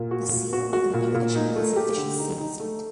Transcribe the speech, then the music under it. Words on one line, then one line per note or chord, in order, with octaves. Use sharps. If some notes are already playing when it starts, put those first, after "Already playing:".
The Seal of the Republic of China is the official seal of state.
Already playing: A#2
F#4
A#2
F#4
F#4
A#2
A#2
D#4
A3
G4
D3
D#4
D#4
A3